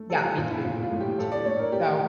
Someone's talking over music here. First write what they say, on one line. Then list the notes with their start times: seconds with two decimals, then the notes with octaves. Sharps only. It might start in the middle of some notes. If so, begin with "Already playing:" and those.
yeah, me too, me too. So,
Already playing: A3
0.10 G3 A4
0.23 F4
0.37 A#2 F4
0.51 E4
0.64 A2 F4
0.83 F4
0.91 A2
1.00 G4
1.18 A2 A4
1.32 D5
1.45 A3 C#5
1.59 A#4
1.72 A3 G4